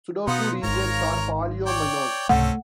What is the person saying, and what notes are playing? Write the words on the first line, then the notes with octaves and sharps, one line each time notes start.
Sudoku regions are polyominoes.
B2 B3 D#4 F5 F#5 C6
G#1 G#2 A#4 C#5 A#5
C#5 D5 G5
C#2 G#2 C3 A3 C4 C#4 A4 F#5